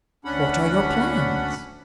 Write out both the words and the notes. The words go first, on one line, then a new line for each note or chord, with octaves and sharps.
What are your plans?
D2 C#4 D4 F#5 B5